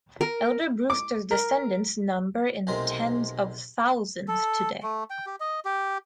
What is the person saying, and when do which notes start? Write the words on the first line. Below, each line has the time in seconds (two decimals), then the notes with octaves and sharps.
Elder Brewster's descendants number in the tens of thousands today.
0.21 A#4
0.90 D6
1.31 A#4
2.67 B1 C3 G#3 C4 A#4
4.28 A4
4.83 A3
5.10 G5
5.26 G4
5.40 D#5
5.65 G4